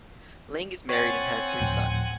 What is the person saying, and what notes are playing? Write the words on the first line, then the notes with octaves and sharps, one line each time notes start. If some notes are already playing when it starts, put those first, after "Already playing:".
Ling is married and has three sons.
C4 C#5 F#5 G#5 A6
D2 A2 F3